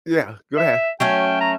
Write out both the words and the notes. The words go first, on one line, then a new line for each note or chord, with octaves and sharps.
Yeah, go ahead.
E5
F#3 A3 C#4 G5
A#5